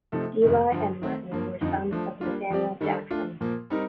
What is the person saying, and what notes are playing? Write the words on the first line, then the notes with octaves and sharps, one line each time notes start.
Eli and Martin were sons of Nathaniel Jackson.
C3 F3 A3 D#4 A4
F2 C3 D#3 A3
G2 D3 F3
D#3 A3 C4
G2 F3 A#3
F2 D3 F3 C4 D#4
F3 A3 D4
G3 A#3 D4 F4
F3 C4 G4 D5
D#3 G3 D4 A4 D5
A3 D4 F4
A#2 F3 A#3
G3 C4 D#4 A#4